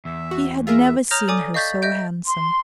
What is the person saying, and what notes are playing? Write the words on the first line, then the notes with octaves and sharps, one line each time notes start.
He had never seen her so handsome.
E2 E5
F#4
F4 G#4 A#4 E5
C#5 A#5 D#6 F6 G6 A#6
A4 D5 G#5 D6 D#6
D#5 F5 C#6 G6 A6 B6
D#5 E5 G6 D7
C6